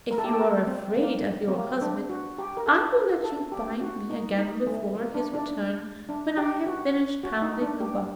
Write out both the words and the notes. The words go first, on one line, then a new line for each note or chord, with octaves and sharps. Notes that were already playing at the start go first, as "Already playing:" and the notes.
If you are afraid of your husband, I will let you bind me again before his return when I have finished pounding the barley.
A#4
A4
G4
A4
A#4
C4
A#3
C4
A#3
D4
F#4
G4
A#4
A4
A4
G4
F#4
D#4
D#4
A3
A#3
D4
D4
D4
G4
F#4
F#4
D#4
D4
G4